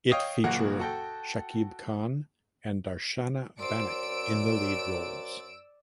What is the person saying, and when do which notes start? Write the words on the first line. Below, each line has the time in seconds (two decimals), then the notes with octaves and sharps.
It feature Shakib Khan and Darshana Banik in the lead roles.
0.12 C#5 D#5 F5 G5 D#6
0.44 F#1 F#2 A#2 A#3 F#4 F#5
0.79 F#4 A4 G5
3.59 F#2 C5 D5 C6 E6 D7